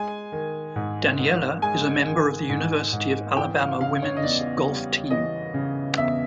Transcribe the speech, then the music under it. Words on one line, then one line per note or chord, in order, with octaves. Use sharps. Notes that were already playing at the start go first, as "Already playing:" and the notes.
Daniela is a member of the University of Alabama Women's Golf Team.
Already playing: G#3 G#5
D#3
G#2
G#2
G#3 G#5
D#3
G#2
G#2
E3 G5
F5
C#3 F5
C#5
D#5
E2 D5
G3
E3 D#5
C#3
E2 E5